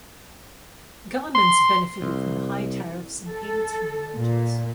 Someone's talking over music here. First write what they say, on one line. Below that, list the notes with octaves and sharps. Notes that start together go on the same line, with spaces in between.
Governments benefited from the high tariffs and payments from the merchants.
C6
C2
A4
A#2